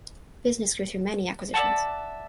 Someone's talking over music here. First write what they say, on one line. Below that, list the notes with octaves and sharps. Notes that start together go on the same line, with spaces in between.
Business grew through many acquisitions.
D5 E5 F#5 A5